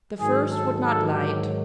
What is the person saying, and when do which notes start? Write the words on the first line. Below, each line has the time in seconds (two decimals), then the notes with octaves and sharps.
The first would not light.
0.19 G#2 D#3 F#3 G#4
0.50 A4
0.80 A4
1.11 G4